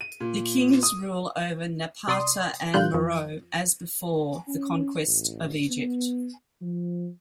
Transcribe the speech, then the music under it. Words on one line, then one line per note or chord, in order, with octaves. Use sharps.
The Kings rule over Napata and Meroe as before the conquest of Egypt.
D#7
A#2
D#6
C2 D5 C6 D#6
A#2 D3 G3 F4 F#6 G6
F2 F3
C#4
A1
B3
F3